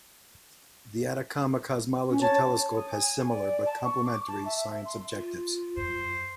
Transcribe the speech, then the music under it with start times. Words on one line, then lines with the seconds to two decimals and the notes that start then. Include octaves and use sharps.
The Atacama Cosmology Telescope has similar, but complementary, science objectives.
2.10 C#4
2.21 C#5 A5
2.52 C#5
2.75 D#6
2.91 G#5
3.28 D5
3.65 A5
3.84 C#6
4.04 D6
4.27 A5
4.45 E5
4.56 E5
4.85 C6
5.12 F4
5.77 F#2 C5